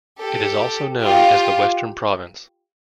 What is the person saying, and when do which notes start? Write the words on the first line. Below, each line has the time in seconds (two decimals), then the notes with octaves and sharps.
It is also known as the Western Province.
0.20 G4 A4
1.04 F4 G4